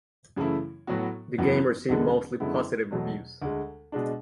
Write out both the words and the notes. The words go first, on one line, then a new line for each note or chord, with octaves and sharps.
The game received mostly positive reviews.
F#2 C#3 E3 A3 E4
A2 F#3 B3 F#4
F#1 F#2 E3 B3 F#4
F#1 E2 D3 G#3 B3
F#2 D3 G#3 B3 E4
E2 B2 F#3 A3
D2 D3 G#3
B2 G#3 D4